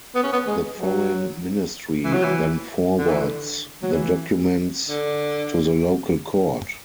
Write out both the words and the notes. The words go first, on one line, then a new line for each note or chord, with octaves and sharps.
The foreign ministry then forwards the documents to the local court.
B3
C#4
B3
G#3
F#3
E3
F#3
E3
D3
E3
D3
F#3
E3
D3